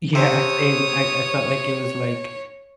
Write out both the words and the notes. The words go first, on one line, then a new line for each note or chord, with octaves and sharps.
Yeah, same. I I felt like it was, like,
C3 C#5 D#6